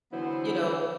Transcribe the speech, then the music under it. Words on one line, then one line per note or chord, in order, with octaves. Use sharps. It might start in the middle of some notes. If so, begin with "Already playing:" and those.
you know
D3 E3 F#3 B3 E4 C5